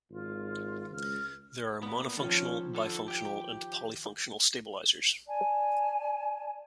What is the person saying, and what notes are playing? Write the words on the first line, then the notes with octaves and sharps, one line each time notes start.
There are monofunctional, bifunctional, and polyfunctional stabilizers.
G#1 F4
C#2 F6
A#2 B3
D#3 F3 C#4 A4
D3 A4
G4 G5
D5 G#5 A5